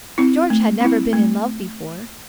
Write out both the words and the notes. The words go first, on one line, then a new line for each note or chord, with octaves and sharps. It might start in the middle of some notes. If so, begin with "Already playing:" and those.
George had never been in love before.
C4 E4
A3
C4 E4
A3